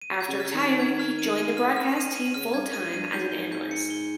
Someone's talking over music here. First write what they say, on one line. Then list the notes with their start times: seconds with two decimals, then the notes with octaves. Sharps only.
After retiring, he joined the broadcast team full-time as an analyst.
0.02 D#7
0.21 G#6
0.28 C#3
0.40 F6
0.53 D#3
0.60 F6
0.80 G#6
0.99 F6
1.19 D#7
1.38 D#7
1.57 F6
1.76 F6
1.97 D#7
2.16 D#7
2.34 C#3 F6
2.54 G2 G#6
2.73 G2 D#7
2.93 G2 D#7
3.13 G#2 G6
3.32 G7
3.52 G6
3.71 C#7
3.90 G7